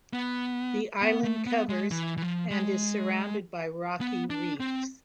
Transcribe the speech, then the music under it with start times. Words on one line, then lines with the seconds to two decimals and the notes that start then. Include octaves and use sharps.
The island covers and is surrounded by rocky reefs.
0.13 B3
1.02 B3
1.24 A3
1.46 B3
1.69 G#3
1.91 E3
2.17 E3
2.22 F3
2.51 G#3
4.01 B3
4.30 D4
4.60 C4